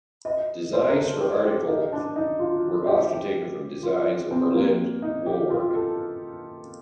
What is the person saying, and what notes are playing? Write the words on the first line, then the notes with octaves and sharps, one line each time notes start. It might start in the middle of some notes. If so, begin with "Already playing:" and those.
Designs for articles were often taken from designs of Berlin wool work.
D#5
C5
A#4
A4
G4
G4
D#4
D4
D#4
F4
G4
F4
C4
A#3
D#4
G4
F4
A4